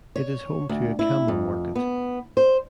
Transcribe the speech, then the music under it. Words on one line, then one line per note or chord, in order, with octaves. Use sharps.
It is home to a camel market.
C#5
D2
E4
F2
B3
C5